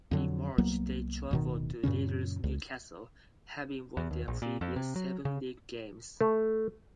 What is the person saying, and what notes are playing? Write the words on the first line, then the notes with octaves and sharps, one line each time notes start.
In March they travelled to leaders Newcastle, having won their previous seven league games.
F2 D3 F#3
C2 F#3 A#3 B3
D1 B2 D#3
F#2 A#2 C#3 C#4
C#2
E2
D#2
A#1
A#2
F2
C3
F#3
C#3
A3